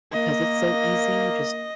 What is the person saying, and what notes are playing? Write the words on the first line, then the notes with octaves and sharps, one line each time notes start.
because it's so easy; you just
A#3 D#5